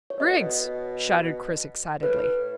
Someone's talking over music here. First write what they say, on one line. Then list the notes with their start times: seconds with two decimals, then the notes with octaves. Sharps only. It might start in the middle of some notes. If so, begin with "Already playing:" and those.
"Griggs!" shouted Chris excitedly.
0.10 C#5
0.20 B2 D#5
0.30 A2
0.40 B2
2.03 A2 B4